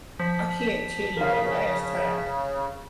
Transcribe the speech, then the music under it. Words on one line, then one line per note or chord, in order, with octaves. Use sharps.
I can't tell you the last time
F3 B6
C#3 A#4 F5